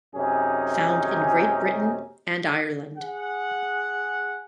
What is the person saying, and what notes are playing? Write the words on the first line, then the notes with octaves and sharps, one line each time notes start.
Found in Great Britain and Ireland.
F#2 C3 C#4 D#4 G#4
G#4 F#5